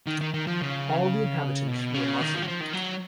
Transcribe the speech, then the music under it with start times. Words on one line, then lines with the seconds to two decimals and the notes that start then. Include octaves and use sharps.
All the inhabitants were Muslim.
0.07 D#3
0.21 D#3
0.34 D#3
0.47 F3
0.61 C#3
1.68 B2
1.94 C#3
2.21 D#3
2.35 F3
2.43 F#3
2.48 F3
2.61 D#3
2.74 F#3